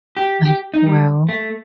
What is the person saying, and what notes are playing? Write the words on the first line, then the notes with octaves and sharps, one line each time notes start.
like, wow.
G4
G4
D#4
G3
A3